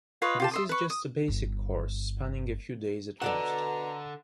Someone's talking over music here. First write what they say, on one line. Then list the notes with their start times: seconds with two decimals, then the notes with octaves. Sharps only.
This is just a basic course spanning a few days at most.
0.22 F4 B4 C#5 D#5
0.40 F4 G4 A5
0.51 E5 C6 D#6
0.69 B4 C#6
0.90 D#6
1.28 G1 G2
3.22 B2 D3 A4 D5 F#5 A#5